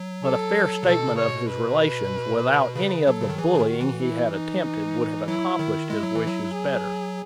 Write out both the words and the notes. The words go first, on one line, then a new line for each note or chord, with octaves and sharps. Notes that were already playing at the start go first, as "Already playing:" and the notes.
But a fair statement of his relations, without any of the bullying he had attempted, would have accomplished his wishes better.
Already playing: F#3
A4
C#3
B2 A4
C#3
C#5
B2
B4
C#3 B4
F#3 A4
C#3
D#3
E3 G#4
C#3
D#3
F#4
E3
E4
D#4
F#3 E4
D#3
G#3 E4
F#3
E3
F#3
G#4